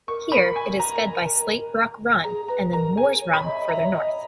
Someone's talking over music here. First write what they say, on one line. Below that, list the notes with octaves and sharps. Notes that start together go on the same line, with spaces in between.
Here, it is fed by Slate Rock Run and then Moores Run further north.
A#4 C#6
B5
G#5
A#5
G#4 A#5
B4 A#5
A#4 A#5
G#4 G#5
C#5
B5
D#5
E5
D#5
E5 A#5
C#5
D#5